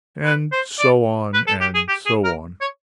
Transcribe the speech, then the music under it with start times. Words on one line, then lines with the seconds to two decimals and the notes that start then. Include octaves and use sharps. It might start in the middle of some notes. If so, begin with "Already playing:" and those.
And so on, and so on.
0.25 B4
0.52 C5
0.79 D5
1.34 B4
1.47 A4
1.61 G4
1.74 G#4
1.88 G4
2.06 G#4
2.25 A#4
2.61 C#5